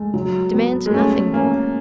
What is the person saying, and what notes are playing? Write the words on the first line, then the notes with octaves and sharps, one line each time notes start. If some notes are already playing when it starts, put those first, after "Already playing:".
Demand nothing more.
Already playing: G#3 A3
F#3
B3
G#3
A3 C#4
A#3 C#4